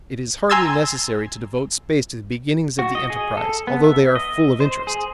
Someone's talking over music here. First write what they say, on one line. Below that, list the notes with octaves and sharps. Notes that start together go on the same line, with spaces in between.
It is hardly necessary to devote space to the beginnings of the enterprise, although they are full of interest.
G#5 A#5 C6 E6 G#6 A6
F#4
D#5
G#4
A4
B3
E5
D#5
C5
G#4